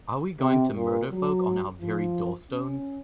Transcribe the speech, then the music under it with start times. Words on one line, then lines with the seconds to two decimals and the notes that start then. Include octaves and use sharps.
Are we going to murder folk on our very door-stones?
0.40 C3
0.76 A#2
1.11 F#3
1.81 F3
2.52 C#4